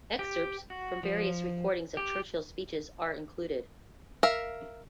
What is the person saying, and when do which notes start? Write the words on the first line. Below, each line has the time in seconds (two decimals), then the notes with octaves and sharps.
Excerpts from various recordings of Churchill's speeches are included.
0.19 G4
0.70 F#4
1.03 F3
1.97 G4
4.23 A#4 E5 F5